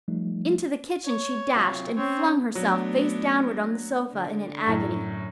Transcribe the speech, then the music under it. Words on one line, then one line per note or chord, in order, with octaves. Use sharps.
Into the kitchen she dashed and flung herself face downward on the sofa in an agony.
F3 G3 A3 D#4
C#5
C3 F#3 F4
C4 C#4 C#5
F#3 A3 B3 D4
D3
F#2 A2